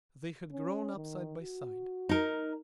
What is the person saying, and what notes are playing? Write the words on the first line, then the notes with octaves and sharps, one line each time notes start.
They had grown up side by side.
C#4
D#3
F#4
D#4 A#4